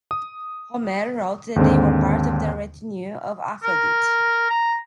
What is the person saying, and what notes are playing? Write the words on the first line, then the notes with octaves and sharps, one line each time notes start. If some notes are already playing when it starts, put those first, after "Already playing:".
Homer wrote that they were part of the retinue of Aphrodite.
D#6
D#2 G#2 D3 C4
A#4
A#5